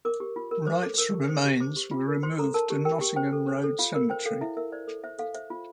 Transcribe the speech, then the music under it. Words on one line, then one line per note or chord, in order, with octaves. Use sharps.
Wright's remains were removed to Nottingham Road Cemetery.
A#4 D6
G4
F4
A#4
C5 D6
A4 D6
A#4 E6
G4
C5
G4
C5 D6
G4
F4
A#4
C5 C6
A4 A#5
A#4 A5
G4
A#4 G5
G4
C5 G5
A4
C5
A4
F4 F5
A#4
C5 G5
A4 F5
E4 E5
A#4 E5
C5 D5
A4
C5 E5
A4 F5
C5 E5
F4